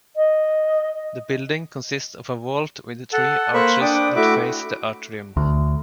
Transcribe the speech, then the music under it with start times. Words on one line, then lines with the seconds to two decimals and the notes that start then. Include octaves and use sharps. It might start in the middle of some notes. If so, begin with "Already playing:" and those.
The building consists of a vault with three arches that face the atrium.
0.16 D#5
3.13 A4 F#5 A5
3.54 A#3 A#4 C5 B5 C#6 F#6
3.81 D4 G5 D6 D#6
4.16 A3 E4 F#4 E5 D6
5.37 D2